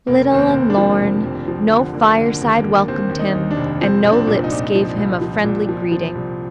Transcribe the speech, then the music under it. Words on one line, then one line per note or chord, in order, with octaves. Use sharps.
'Little and lorn; no fireside welcomed him and no lips gave him a friendly greeting.'
F1 A#3
D#2 C4
A#3
F1
D4
F3
F1
F1
F3
D3
D3 A#3
D3
A#3
D#2
A#3
D#2
D#2 C4
D#2
D#4
D#2
D4
F1
F3 C4
C2
D4
A#2
D#4
A#2
F3
C2
F3
A#2
F3
F3
C2